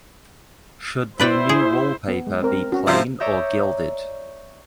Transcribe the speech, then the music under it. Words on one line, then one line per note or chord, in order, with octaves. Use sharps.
Should the new wall-paper be plain or gilded?
E4 B4 C5 D5 G5
G#4
B3
G#3
C4 A#4
C#4 F#4
C3 F3 E5
C#5 D5 E5 A#5 D#6 G6